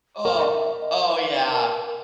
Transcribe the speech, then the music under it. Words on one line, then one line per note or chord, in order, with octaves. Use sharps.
Oh! Oh, yeah.
A#4 G5
E5
D#5
B4
B4
A#4